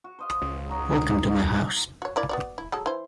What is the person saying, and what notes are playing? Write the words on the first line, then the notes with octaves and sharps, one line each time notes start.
Welcome to my house.
F#4
C5 D#5 F5
C#2
F#3 D#4
F#4 C#5
A#3 E4 D5
B3 F#4 D5
E4
F#3 G#3 A4
E3 C5